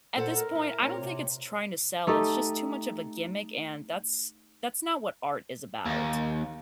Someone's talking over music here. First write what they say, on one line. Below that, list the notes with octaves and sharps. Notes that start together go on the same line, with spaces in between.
at this point, I don't think it's trying to sell, it's just too much of a gimmick and that's that's not what art is about.
A#2 A4 C5 F#5
A#4
E4
A#2 C4 C#5
C3
A3 D#4 G4 A4
D#2